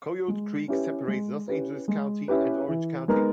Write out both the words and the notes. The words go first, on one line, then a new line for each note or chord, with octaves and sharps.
Coyote Creek separates Los Angeles County and Orange County.
G#3
C#4 E4 G4 B4
G#3
C#4 E4 G4 B4
G#3
C#4 E4 G4 B4
E3
G#3 B3 D#4 A#4